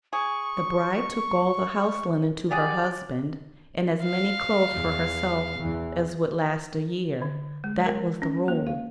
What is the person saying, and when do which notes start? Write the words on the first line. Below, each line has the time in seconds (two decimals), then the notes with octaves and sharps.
The bride took all the house-linen to her husband, and as many clothes for herself as would last a year; that was the rule.
0.13 G#4 C#6
2.51 G4 G#4 D5 F#5
4.03 F5
4.72 E2
5.58 E2 E3
7.22 D3
7.64 G#3
7.86 A#4
8.22 C#4
8.48 A#3
8.67 F5